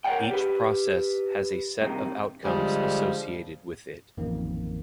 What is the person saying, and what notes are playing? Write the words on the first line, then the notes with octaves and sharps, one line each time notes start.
Each Process has a set of outcomes associated with it.
A#4 C#5 D5 F#5 G5
G4 B4
G2 C3 D#3
D3 F3 G3 G#3
A1 F2 D#3 A#3